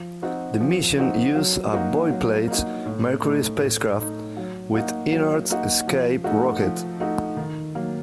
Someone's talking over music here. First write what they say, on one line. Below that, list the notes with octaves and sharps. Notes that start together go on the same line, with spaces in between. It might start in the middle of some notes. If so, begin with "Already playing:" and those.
The mission used a boilerplate Mercury spacecraft, with inert escape rocket.
Already playing: F3
C4 D#4 F#4
F3
C4 D#4 F#4
F#3
A#3 D#4 F#4
F#3
A#3 D#4 F#4
A2
A3 D#4
A2
A3 D#4
F#3
A#3 D#4 F#4
F#3
A#3 D#4 F#4
F3
A3 D#4 F#4
F3
A3 D#4 F#4
D#3
F#3 A#3